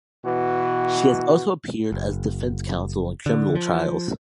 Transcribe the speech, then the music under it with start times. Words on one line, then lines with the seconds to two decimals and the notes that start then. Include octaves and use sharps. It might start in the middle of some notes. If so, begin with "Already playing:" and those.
She has also appeared as defence counsel in criminal trials.
0.25 B2 E3 F#4
1.92 F#1
3.26 D3
3.55 F3